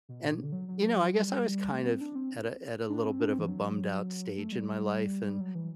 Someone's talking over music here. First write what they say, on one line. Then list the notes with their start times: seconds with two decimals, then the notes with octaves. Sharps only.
And, you know, I guess I was kind of at a at a little bit of a bummed-out stage in my life, and
0.09 B2
0.23 A2
0.33 B2
0.43 D3
0.52 F#3
0.68 F#3
1.13 G3
1.72 A3
1.85 C4
2.01 D4
2.15 C4
2.89 D4
3.04 C4
3.20 D4
3.29 C4
3.39 E3
3.48 F#3
4.38 A3
4.52 G3
5.26 G3
5.41 F#3
5.55 E3